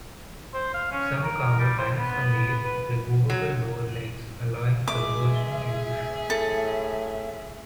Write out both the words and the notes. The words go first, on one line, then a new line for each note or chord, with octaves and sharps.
Some cargo pants are made with removable lower legs allowing conversion into shorts.
C5
F5
C#4
A#4
G3
C5
B3
B4
F#3
G#3 G#4 E5 D6
A2 A4